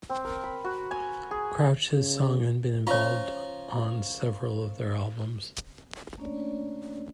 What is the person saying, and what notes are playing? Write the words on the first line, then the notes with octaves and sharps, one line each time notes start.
Crouch has sung and been involved on several of their albums.
C4
A#4
B5
F#4
G#5
G#4
C#3
F3 C#4 F4 C#5 A#5
A3 A#3 C#4 D4 C#5 D5